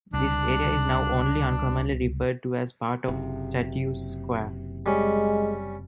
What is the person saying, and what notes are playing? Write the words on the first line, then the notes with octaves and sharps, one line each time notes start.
This area is now only uncommonly referred to as part of Statue Square.
C#2 C3 G3 D4
F#1 C3
G3 G#3 C#4